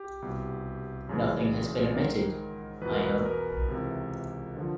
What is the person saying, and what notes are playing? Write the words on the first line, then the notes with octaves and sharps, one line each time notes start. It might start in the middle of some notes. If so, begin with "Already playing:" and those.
Nothing has been omitted, I hope?
Already playing: G4
C2 B2
F#2 C#3 E3
G#2 D#3 A#4
E2 B2 B4
A#4
B4
A#4
C#2 C3 E3
D3 F3